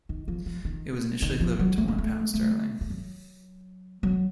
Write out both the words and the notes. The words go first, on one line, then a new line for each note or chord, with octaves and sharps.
It was initially equivalent to one pound sterling.
D#3
F3
F3
D#3
D#3
F3
F#3
A3
A#3
A3
A3
A3
F#3
F#3